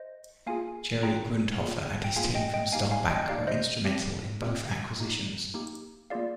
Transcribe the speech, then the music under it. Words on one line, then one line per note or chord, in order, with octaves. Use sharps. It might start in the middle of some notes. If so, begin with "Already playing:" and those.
Jerry Grundhofer and his team from Star Banc were instrumental in both acquisitions.
Already playing: C5 D#5
A#3 F4 G#4 F5 G#5
A#3 F4 G#4 G5 A#5
A#3 F4 G#4
G5
A#3 F4 G#4 F5 G#5
D#5 G5
D#5 G5
A#3 D#4 G4 F5 G#5
F5 G#5
D#5 G5
A#3 D#4 G4 D5 F5
C5 D#5
C4 G4
C4 G4
A#3 D#4 G4
A#3 D#4 G4
A#3 F4 G#4 D5 F5